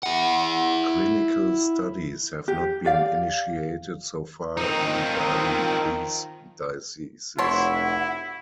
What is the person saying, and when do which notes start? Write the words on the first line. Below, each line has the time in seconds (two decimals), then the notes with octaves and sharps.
Clinical studies have not been initiated so far regarding these diseases.
0.03 E4 F#5
2.48 G4
2.84 G4 D5 F5
4.57 D#3 F3 C4 D#4
7.38 F1 B2 E4 C#5 F#5 C6